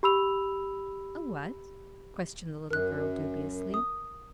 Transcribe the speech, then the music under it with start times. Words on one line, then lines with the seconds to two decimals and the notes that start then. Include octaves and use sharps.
"A--what?" questioned the little girl, dubiously.
0.03 G4 B5 E6 F7
2.71 F#2 A#4 F#6
3.74 D#6